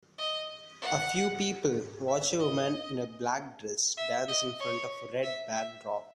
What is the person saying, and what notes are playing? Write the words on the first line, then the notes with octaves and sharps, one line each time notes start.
A few people watch a woman in a black dress dance in front of a red backdrop.
D#5
F#5
E5
D#5
E5
D#5
C#5
E5
E5